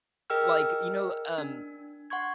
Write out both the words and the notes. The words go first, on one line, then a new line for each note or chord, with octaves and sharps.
like, you know, um,
G#4 A#4 D#5 G5 E6 F6
D4
F#5 C6 C#6 G#6